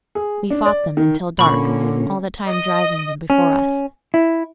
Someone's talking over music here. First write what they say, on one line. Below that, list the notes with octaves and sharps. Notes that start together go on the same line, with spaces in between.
We fought them until dark, all the time driving them before us.
G#4
D4
D5
D#3
A#2 D3 A#3 C#4 B5 C#6
D#5
C#4
E4